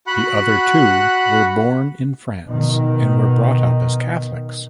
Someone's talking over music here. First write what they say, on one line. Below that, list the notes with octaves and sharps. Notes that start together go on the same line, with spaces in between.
The other two were born in France and were brought up as Catholics.
F#4 F#5 B5 F#6
B2 D#3